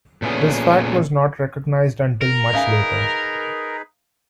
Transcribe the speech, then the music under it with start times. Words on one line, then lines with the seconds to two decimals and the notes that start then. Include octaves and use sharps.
This fact was not recognized until much later.
0.22 A#2 A3 B3 C#4 G#4
2.21 A#4
2.53 D#4 G#4 B4 E5 F5 G#5